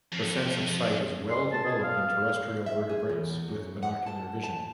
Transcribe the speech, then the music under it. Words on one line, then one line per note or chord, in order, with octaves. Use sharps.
The sense of sight is well developed in terrestrial vertebrates with binocular vision.
F2
C6
A5
G#4
F5
E5
G#4
E2
F#2
F#5
A5
A5